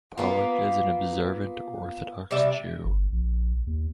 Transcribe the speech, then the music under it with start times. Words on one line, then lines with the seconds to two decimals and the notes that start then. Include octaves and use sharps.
Pollack is an observant Orthodox Jew.
0.18 A#3 B3 F4
2.31 C3 G3 D5 E5
2.84 G1
3.12 A#1
3.67 D#2